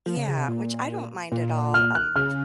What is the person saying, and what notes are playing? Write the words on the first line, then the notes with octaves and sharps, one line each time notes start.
Yeah, which I don't mind at all, um,
F3
C#3
C#3
C3
A#2
A#2
F6
F#6
C#3 F6